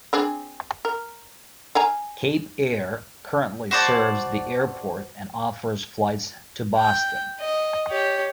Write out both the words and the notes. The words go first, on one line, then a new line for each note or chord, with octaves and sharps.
Cape Air currently serves the airport and offers flights to Boston.
C4 D4 G#4
A#4
F5 G#5 A#5
F#4 C5 D5 A5
G5
D#5
G4 C#5